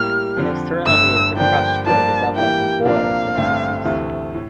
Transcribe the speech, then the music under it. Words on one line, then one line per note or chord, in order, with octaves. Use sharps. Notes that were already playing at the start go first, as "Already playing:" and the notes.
In external use, the crushed fruit is applied on boils, abscesses.
Already playing: A2 G3 A#3 F6
F2 D3 F3
G1 G2 D3 A3 E6
G2 D3 F3 A#3 D4 G5
G2 F3 A#3 D4 F4 A5
E3 G3 A#3 E4 G5
C2 A#2 F3 A#3 D4 F5
A1 G2 D3 A3 C4
D2 C3 E3 A3
A2